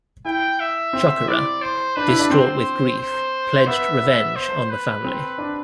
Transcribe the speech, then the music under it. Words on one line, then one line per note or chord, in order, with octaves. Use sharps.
Chocorua, distraught with grief, pledged revenge on the family.
E4 G5
E5
C4
E4 D5
C5
D4 B4
E4
D4
C4 C5
C5
B3 E5
B3
C5
B4
C4
D4